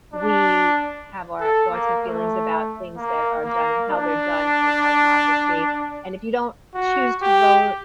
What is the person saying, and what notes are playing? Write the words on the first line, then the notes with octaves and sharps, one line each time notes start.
We have our thoughts and feelings about things that are done and how they're done in our democracy, and if you don't choose to vote,
D4
A4
A#3
A3
A#3
A#3
D4
F#4
G4